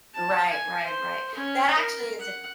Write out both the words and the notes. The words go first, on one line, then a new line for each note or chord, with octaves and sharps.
Right, right, right. That actually is a
A5
G#5
C5
C#4
A#4
F#5